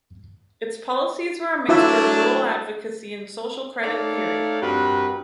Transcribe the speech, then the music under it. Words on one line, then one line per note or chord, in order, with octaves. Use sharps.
Its policies were a mixture of rural advocacy and social credit theory.
F#3 A3 D4 E4 F4 E5
A3 D#4 C#5 D5 F5
G2 C4 F#4 G4 A#4 B4